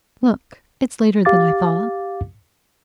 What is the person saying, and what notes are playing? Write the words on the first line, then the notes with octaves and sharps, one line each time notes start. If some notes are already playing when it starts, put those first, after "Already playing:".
'Look! it's later than I thought.
G4 F5 D6 A6